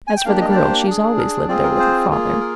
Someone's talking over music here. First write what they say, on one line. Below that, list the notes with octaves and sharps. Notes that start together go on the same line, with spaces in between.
As for the girl, she's always lived there with her father.
G#5
G5
A#3 D4 G4 F5
D#5
D5
C5
D4 G#4
A#4
C4 F4 G#4 D5
A#4
C5
A#3 F4 G#4
A#4